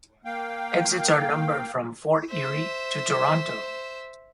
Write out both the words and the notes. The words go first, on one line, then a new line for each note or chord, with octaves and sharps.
Exits are numbered from Fort Erie to Toronto.
A#3 F5 G5
C5 E5